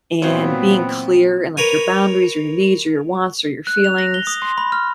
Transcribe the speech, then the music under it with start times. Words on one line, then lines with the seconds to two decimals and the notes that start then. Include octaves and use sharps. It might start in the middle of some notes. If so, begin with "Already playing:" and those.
and being clear in, like, your boundaries, or your needs, or your wants or your feelings,
0.22 A#2 E3 F#3 B3 C4 F4 C5
1.57 A#4 B4 C#5 G#5
3.67 F#6
3.84 F7
3.98 A#6
4.14 G7
4.27 D#6
4.42 C6
4.58 B5
4.72 F6